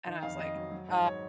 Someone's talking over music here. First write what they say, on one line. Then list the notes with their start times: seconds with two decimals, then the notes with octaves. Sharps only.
and I was like, "Uh,
0.07 D#3
0.23 F2 F5
0.39 F2 D#5
0.56 F#3
0.71 F#3
0.89 G#2
1.05 C#5